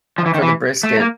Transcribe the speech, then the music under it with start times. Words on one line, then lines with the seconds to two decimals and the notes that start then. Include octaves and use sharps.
for the brisket
0.18 F3
0.26 E3
0.34 D#3
0.42 E3
0.83 A3
1.00 A#3